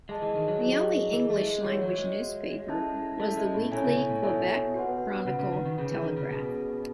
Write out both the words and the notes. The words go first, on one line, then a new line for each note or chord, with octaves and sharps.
The only English-language newspaper was the weekly "Quebec Chronicle-Telegraph".
G#3 G#4 D#5 A5
E3
D#3
F#3
E4 G#4 D#5
E3 E4 G#4 D#5
A3
G#3
E3 F#4 C#5 E5
F#3
G#3
F#4 C#5 E5
C#4 E4 A4 E5 A5
A3 C#4 E4 A4 E5 A5
G#3
A2
B2 E4 A4 C#5 E5 G#5
C#3
B2
A2
B2 E4 A4 C#5 E5 G#5
F#4 B4 F#5
C#3 F#4 B4 F#5
C#3
D#3
D#3
C#3 C#4 G#4 B4
E3
D#3
C#3
B2 C#4 G#4 B4